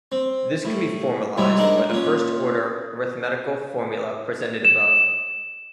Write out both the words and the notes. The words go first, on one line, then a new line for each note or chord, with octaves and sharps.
This can be formalized by the first-order arithmetical formula presented above.
C4
A2
C2 G#2 F#3 E4
G#3 D4 D#4 A#4
A#2 C#4
E7